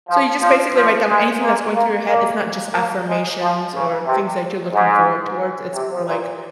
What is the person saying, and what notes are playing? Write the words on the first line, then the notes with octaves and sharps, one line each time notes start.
So you just basically write down anything that's going through your head. It's not just affirmations or things that you're looking forward towards. It's more like,
F3
F3
F3
G#3
A#3
A#3
A#3
A#3
G#3
F3
C#3
C3
G#2
C3
A#2